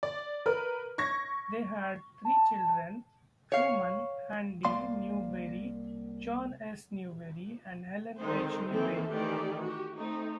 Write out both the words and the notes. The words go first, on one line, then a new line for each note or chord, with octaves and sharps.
They had three children, Truman Handy Newberry, John S. Newberry and Helen H. Newberry.
D5
A#4 B4 F6
C#6 G#6 A#6
A5
C#5 F5
C2 A#3 D5 F5 C6
D3 D#3 G#3 C4 D#4 C5
D#3 E3 A#3 C4 A4 E5
D#3 E3 A3 G4 D5
F#4 G4
A3 C4 D#4